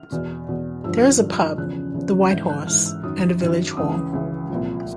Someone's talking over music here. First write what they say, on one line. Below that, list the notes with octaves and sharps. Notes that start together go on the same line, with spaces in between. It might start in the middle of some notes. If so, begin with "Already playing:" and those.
There is a pub, the White Horse, and a village hall.
Already playing: F6
E2 B2
E2 B2
G2 D3 F3 E6
F6
G2 D3 F3
E2 C#3 F3 F#6
E2 C#3 F3
G#2 E3 G6
F#6
G#2 E3 F6
E6
F#2 D#3 D#6
F#2 D#3
D6
C#2 C#3 E3 D#6
C#2 C#3 E3
C2 A#2 F3